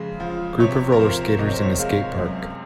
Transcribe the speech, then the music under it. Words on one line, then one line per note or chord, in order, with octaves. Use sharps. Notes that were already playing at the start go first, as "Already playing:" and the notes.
Group of rollerskaters in a skate park.
Already playing: F2 C#3 G#3
F3
C3 C#5
A#4
F3 C5
C3 D#5
C#5
C5
C#5
G#3 F5
F#2